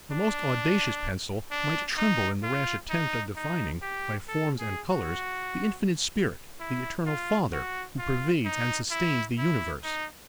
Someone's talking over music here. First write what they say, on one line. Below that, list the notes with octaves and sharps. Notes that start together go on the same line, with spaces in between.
The most audacious pencil might tremble in the rash attempt of defining, by forms and colors, the infinite Spirit, the eternal Father, who pervades and sustains the universe.
D4
D4
D#4
F4
D#4
D#4
G4
A4
G#4
F#4
E4
F4
F#4
F4
D#4
E4
E4
D#4